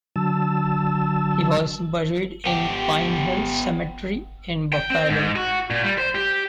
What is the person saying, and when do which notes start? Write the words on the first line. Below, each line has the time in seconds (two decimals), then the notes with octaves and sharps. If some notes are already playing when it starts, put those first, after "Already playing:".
He was buried in Pine Hill Cemetery in Buffalo.
0.16 D3 F#3 A5 E6
2.45 B3 G4
4.73 G5
4.90 C4
5.09 G#2
5.36 F#4
5.70 A#2
5.84 G3
5.98 C5
6.15 G4